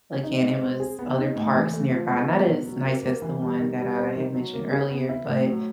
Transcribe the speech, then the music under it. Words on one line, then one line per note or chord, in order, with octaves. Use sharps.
again it was other parks nearby, not as nice as the one that I had mentioned earlier, but
D#4
G#3
C4
G#4
B3
D#4
A2
E3
A3
F3
G#3
B3
B2
F#3
A#3
A#3
E3
G3
D#3
G3
C4
D#3
F#3
A#3
G#4
B3
E4
A2
F#3